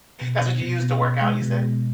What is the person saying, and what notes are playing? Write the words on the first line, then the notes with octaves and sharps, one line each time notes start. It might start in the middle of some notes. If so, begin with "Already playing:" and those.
That's what you use to work out, you said?
B2
B2
B2
B2
B2
G#3
B2
B2